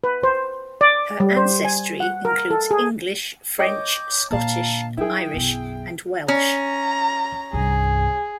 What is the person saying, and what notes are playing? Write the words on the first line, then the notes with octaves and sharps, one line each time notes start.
Her ancestry includes English, French, Scottish, Irish, and Welsh.
B4
C5
D5
G3
C5
G#5
F#5
A#4
A4
G#4
C#5 D#5 G5 D6 G6
A#2 D3 F5 A5 A#5
F#3 E4 G#4 G5
B1 F#2
C#4 A#5
C2 G2 G#4